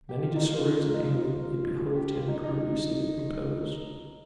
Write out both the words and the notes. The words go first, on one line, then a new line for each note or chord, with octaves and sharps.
Many disorders in England it behoved him previously to compose.
G4
F4
D#4
F4
D#4
F4
G4
F4
D#4
D#4